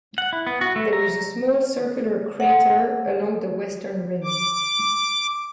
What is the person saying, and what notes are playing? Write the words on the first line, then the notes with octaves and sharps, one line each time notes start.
There is a small circular crater along the western rim.
F#5
E4
B3
F#4
A3
A#5
F#5
D6